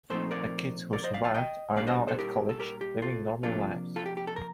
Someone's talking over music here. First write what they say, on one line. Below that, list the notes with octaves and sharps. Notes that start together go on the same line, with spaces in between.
The kids who survived are now at college living normal lives.
A#2 F3 A3 C4 D#4 A4 C5
A#4 D5
A#4 D5
C5 D#5
D5 F5
F5 A5
D#5 G5
A#2 G3 D4 D5 F5
C5 D#5
A4 C5
G4 A#4
A4
G4 A#4
G4
F4 A4
C3 F3 A#3 D4 F4 A4
F4 A4
G4
G4
A4
A#4